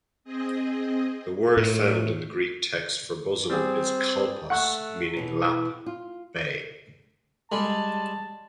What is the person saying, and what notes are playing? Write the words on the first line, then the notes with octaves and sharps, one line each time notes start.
The word found in the Greek text for "bosom" is kolpos, meaning "lap" "bay".
C4 G#4 D#5
A2
G3 C4 G#4
A3 F#5 C#6 F#6
B2 E3
F4
G3 G#3 A5